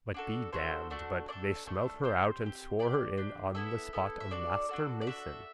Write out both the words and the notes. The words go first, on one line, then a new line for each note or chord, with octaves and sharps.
But be damned but they smelt her out and swore her in on the spot a master mason.
D4 F#4 A4
A3 D4 F#4 A4 C5
A3 D4 F#4 A4
A3 D4 A4 D5
A3 D4 A4
C4 G4 C5
C4 G4
D4 G4 D5
D4 G4
B3 E4 A4 E5
B3 E4 A4
E5
D4 F#4 A4 D5
D4 F#4 A4
D5
D4 F#4 A4 E5